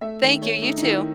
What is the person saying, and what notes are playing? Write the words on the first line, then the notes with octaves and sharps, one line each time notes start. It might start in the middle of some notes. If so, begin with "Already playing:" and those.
Thank you, you too.
A3 E5
D#3
A3 C#5
A3 D#4
D#4
D#3 E4